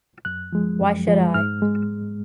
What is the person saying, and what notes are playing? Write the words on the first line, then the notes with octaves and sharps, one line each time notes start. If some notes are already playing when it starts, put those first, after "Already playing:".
Why should I?
F#2 F#6
F3 G#3
F#2
F3 G#3
G#2 F6
G#3